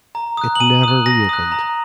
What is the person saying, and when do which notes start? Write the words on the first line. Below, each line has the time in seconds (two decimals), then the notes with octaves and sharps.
It never reopened.
0.15 A#5
0.37 D#6 F#6
0.55 F#7
0.60 G#5 D#7
0.83 D#6 F#6
1.06 G#5 A#6
1.29 D#6 F#6
1.52 A#5